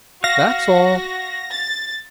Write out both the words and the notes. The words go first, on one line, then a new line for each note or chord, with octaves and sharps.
That's all.'
F#4 F5 A#6
A6